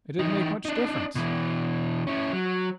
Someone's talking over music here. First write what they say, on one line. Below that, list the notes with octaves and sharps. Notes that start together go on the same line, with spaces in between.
It didn't make much difference.
E3 D#4
D4 D#4
B2 E3
C#4 E4
F#3